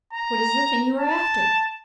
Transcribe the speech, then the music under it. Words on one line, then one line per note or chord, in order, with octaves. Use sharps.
What is the thing you are after?
A#5
A5